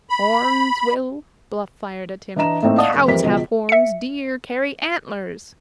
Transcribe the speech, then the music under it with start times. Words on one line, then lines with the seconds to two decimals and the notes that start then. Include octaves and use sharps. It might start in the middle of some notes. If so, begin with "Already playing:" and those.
"Horns, Will?" Bluff fired at him; "cows have horns, deer carry antlers!"
0.10 B5
2.36 E3 D4 D#5 A#5 E7
2.62 A2 A3 A#3 C4 D#4
2.78 D5 D#5 F5 F#5 A5 D#6
2.94 F1
3.08 F2 E3 G3 A#4 C5 B6
3.23 C#2 B2 F3
3.69 E5 C#7